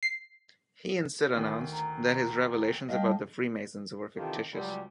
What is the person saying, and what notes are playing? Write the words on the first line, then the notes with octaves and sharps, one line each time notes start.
He instead announced that his revelations about the Freemasons were fictitious.
C7
D2 D#3
A#5
G3 D#5 F5 G5 A5
C3 D#3 E3 F4 G4 A4
C#2 F#3 G3